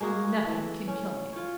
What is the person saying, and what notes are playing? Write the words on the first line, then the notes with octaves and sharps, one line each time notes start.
"Nothing can kill me."
G#3 A#3 F#4 G#4
E3 A4
C#4
F4 C#5